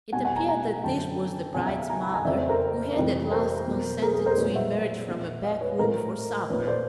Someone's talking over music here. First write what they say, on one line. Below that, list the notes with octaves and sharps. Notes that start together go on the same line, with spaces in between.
It appeared that this was the bride's mother, who had at last consented to emerge from a back room for supper.
B2 G3 F#5 G#5
F#5 G#5
G#5 A#5
G#5 A#5
F#2 D3 F#3 G5 A5
E2 C#3 F3 F#5 G#5
E5 F#5
F5 G5
G#5 A#5
A5 B5
G#5 A#5
F2 C#3 F3 D5 E5
C5 D5
A#4 C5
F2 C3 E3 G3
A#4 C5
B2 F#3
G#4 A#4
G#4 A#4
A#4 C5
A#2 F#3 B4 C#5
E5 F#5
A#2 F3
D#5 F5
B4 C#5
A2 F3 A#4 C5
A#2 F3 B4 C#5
C5 D5